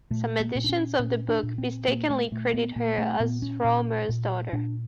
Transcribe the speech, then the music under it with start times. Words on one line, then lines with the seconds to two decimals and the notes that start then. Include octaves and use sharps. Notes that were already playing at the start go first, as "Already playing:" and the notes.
Some editions of the book mistakenly credit her as Rohmer's daughter.
0.10 A#2 A3
0.40 A#3
0.55 A#2
0.64 D4
0.69 C#4
0.99 A#2 C#4
1.29 D4
1.43 A#2
1.58 C4
1.87 A#2 A#3
2.10 A3
2.32 A#2 A3
2.54 B3
2.76 A#2 A#3
2.98 A3
3.20 A#2 B3
3.42 C#4
3.64 A#2
4.09 A#2
4.53 A#2 D4